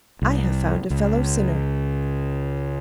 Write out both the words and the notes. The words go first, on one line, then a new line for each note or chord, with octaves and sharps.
"I have found a fellow-sinner."
C2
C#2